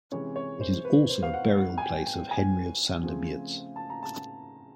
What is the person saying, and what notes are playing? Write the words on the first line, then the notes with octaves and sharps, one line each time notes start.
It is also a burial place of Henry of Sandomierz.
C3 E3 G#3 C#4 C#5
C#5
C5
B4
C5
F5
F#5
F#5
G#5
G5
G5
G#5
C#3 F3 A3 C4
A5
A#5
A5